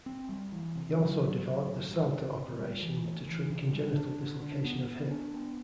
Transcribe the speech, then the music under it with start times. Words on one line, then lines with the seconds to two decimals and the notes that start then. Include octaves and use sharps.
He also developed the Salter operation to treat congenital dislocation of hip.
0.06 C4
0.29 G3
0.52 E3
0.76 C3
0.98 F#3
1.21 F#3
1.44 F#3
1.66 A2
1.90 G3
2.13 C3
2.36 C3
2.58 G3
2.82 E3
3.05 A3
3.27 E3
3.50 C3
3.73 G3
3.96 D4
4.20 D3
4.42 D4
4.65 B3
4.88 B3
5.11 D4
5.34 B3